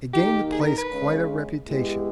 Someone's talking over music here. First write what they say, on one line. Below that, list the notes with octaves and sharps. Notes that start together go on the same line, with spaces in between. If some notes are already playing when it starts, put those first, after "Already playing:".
It gained the place quite a reputation.
D#3 A#3 D#4 G4
G#4
B4
A#4
B4
C#3 G#3 C#4
G#3 B3 E4 G4